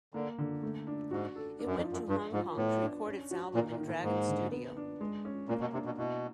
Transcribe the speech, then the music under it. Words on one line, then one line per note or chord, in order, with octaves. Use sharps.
It went to Hong Kong to record its album in Dragon Studio.
D3 A#3
D3
A3
D4
G#2 F#4
A4
D4
F#2
F2
F3
F#2
G2 D4
G#2 F3
A2 B3
D4
C#4
F#4
A#2 A#3
A#2
D#3
A2
G#2 A#3
D3
B3
D4
G#3
C#4
A#2 A#3
B2
C3 D4
B2
B2 E4